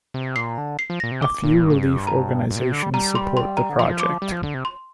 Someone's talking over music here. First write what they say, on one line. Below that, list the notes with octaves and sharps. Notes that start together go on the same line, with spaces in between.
A few relief organizations support the project.
C3
A#2 C7
D3
C7
F3
A#2 A#6
C3
D6
A#2
G2
A#2
G2
F2
G2
A#5
G2
A#2
C3
D3
G3
G3 A#5
C6
C6
A#5
D3
F3 C6
D6
G3
F3
D3
C3
C6